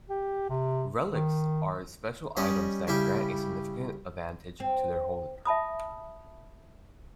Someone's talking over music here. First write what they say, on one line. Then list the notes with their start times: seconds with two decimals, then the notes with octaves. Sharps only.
Relics are special items that grant a significant advantage to their holder.
0.09 G4
0.49 C3
1.08 D#3
2.37 G3 C#4 D#5
2.87 C#3 G3 E4 G4
4.60 C4
5.45 E5 A5 B5 D#6